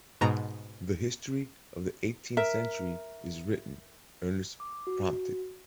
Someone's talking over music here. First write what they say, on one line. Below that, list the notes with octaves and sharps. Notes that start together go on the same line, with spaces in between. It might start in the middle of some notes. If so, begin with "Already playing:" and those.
The history of the eighteenth century is written, Ernest prompted.
G#2 B2 A#5
A#4 E5
D6
F#4